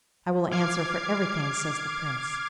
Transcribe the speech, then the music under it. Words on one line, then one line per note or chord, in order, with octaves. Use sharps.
I will answer for everything,' says the Prince.
D6 F6 G#6 C7